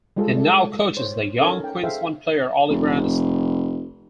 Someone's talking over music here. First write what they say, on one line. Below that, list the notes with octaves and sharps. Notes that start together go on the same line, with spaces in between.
He now coaches the young Queensland player Oliver Anderson.
G3 G#3 F4 G#4 A4
A4 D5
C5 C#5
C#4 D#4 A4 A#4 G#5
G5
G#4 A4 C5 E5 F5 G5
F1